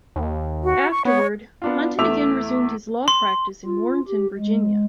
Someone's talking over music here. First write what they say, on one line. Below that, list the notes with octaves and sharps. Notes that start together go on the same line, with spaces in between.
Afterward, Hunton again resumed his law practice in Warrenton, Virginia.
D#2
F#4
C#6
B3 C#5
B3 D4 F4
E2 A3 E5 D6 E6 F7
C6
F4
G4
G#3